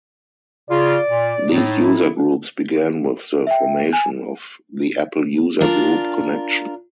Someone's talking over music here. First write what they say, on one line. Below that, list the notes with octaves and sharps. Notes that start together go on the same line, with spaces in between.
These user groups began with the formation of the Apple User Group Connection.
C#3 F4 D5
A#2
A2 D#4
E4
E5 G5
G#5
D4 F4 A#4